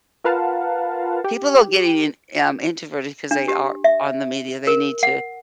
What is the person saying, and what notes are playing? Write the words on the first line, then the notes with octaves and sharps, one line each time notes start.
People are getting in um, introverted 'cause they are on the media, they need to,
F4 A#4 B4 F5 F#5 A5
G4
D4
G4
E5
A#4
F#5